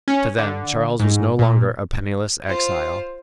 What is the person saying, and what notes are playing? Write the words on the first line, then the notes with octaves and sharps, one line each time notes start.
To them Charles was no longer a penniless exile.
C#4
D3
G#2
A#2
F4 C5